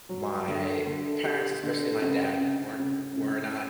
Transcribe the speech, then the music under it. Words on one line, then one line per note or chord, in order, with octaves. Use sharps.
my parents, especially my dad, weren't were not
F#3
D3
D3
G4
D3
C#3
C#3
C#3
C#3